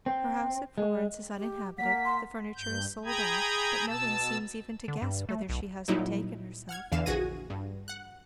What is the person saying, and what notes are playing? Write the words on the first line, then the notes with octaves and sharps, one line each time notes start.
Her house at Florence is uninhabited, the furniture is sold off; but no one seems even to guess whither she has betaken herself.
C4
G#3
G4
A#3 F#5 B6
C6
G2 G6
G#4 G5 A#5 B5 D#6 G#6
B2 A5 E6
D3
G2
A3
B1
A#2 F#3 G3 D#4 E4
F#5 F6 G#6
E2 D3 E3 F5 E7
A#1 F#4 G#4 G#6 A#6 D#7
G2
F#5 F#6